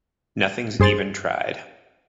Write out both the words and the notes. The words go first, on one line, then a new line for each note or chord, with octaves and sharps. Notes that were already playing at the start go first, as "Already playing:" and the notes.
Nothing's even tried.
G2 G#4 C5 C6 A6